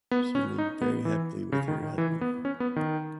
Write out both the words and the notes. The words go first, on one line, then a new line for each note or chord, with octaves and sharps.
She lived very happily with her husband.
B3
C#4
D#4
B3
E3
C#3
D#3
D#3
E3
B3
C#4
B3
D#3